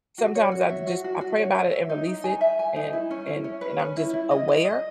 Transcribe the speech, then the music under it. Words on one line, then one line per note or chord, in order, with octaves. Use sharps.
Sometimes I just I pray about it and release it, and and and I'm just aware,
F#4
C#5
F#4
E5
F#4
F#4
F#4
C#5
E5
E5
D#4
D#4
G#5
E5
G#5
D#4
E4
C#4
E4
C#4
B4
C#4
E4
E4
D#5
D#5
D#5